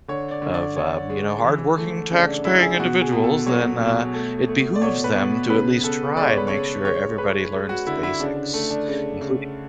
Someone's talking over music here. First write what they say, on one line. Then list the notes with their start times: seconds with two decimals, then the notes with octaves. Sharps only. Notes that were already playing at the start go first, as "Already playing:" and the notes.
of, um, you know, hardworking taxpaying individuals, then, uh, it behooves them to at least try and make sure everybody learns the basics, including
0.08 D3 C#5
0.31 D5
0.42 D3
0.54 D5
0.76 D3 C#5
1.10 G#3
1.44 E3
1.78 A3
2.11 C#3 D4
2.29 D4
2.45 C#3 E4
2.62 G#4
2.79 B2 F#4
3.01 G#4
3.13 B2
3.24 A4
3.46 F#3 C#5
3.80 B2
4.14 A3
4.49 A3
4.76 D5
4.81 B2 C#5
5.04 B4
5.15 B2
5.49 C#3 B4
5.84 C#3 A4
6.17 G#3 D5
6.27 C#5
6.38 B4
6.48 C#3 C#5
6.85 G#3 C#5
7.18 G#3 B4
7.52 G#3
7.69 F#4
7.87 D3 E4
8.03 E4
8.20 C#3 D4
8.37 D4
8.54 A3
8.70 D4
8.88 C#3
9.21 C#3